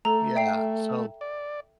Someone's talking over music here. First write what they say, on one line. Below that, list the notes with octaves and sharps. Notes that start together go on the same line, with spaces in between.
Yeah, so
A3 A4 A#5
E5 G5 C7
D5